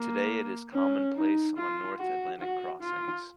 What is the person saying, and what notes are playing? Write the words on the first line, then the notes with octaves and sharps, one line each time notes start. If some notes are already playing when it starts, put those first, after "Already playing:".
Today it is commonplace on North Atlantic crossings.
Already playing: A#3
C#4
D#4
F4
F#4
F#4
F4